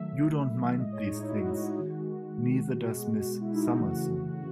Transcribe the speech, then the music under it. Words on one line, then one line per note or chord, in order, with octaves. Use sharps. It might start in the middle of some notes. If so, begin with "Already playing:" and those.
You don't mind these things; neither does Miss Summerson.
Already playing: D#3 F#3 A3 E5
A2 G#3 D#5
C#5
D#4
E4
F#4
D#3 G#3
B2 G#3
E4
D#4
E4
C#3 E3 A3 F#4
F#4